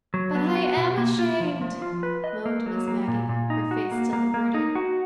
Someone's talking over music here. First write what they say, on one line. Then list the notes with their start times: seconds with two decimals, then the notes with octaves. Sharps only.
"But I am ashamed," moaned Miss Maggie, her face still averted.
0.14 F#3
0.35 B3
0.56 F#4
0.77 B2
0.97 A#3
1.19 F4
1.40 F3
1.61 F3
1.82 F4
2.03 B4
2.24 D#5
2.46 A#3
2.66 F#3
2.88 A#3
3.08 A#2
3.29 A#2
3.50 D#4
3.71 F#4
3.91 A#3
4.13 A#3
4.34 A#3
4.54 D#4
4.75 F#4